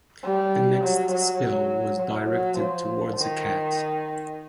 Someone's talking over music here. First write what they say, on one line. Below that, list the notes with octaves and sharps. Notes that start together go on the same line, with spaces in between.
The next spell was directed towards a cat.
G3
F#3
F#3
F#3
F#3
F3
D#3